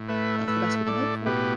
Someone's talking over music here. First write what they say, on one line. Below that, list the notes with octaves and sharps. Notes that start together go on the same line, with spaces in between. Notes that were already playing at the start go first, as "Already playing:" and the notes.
That's the best we can hope for.
Already playing: A2
A3 B4 E5
A2 B4 E5
A2 A4 D5
B2 G4 B4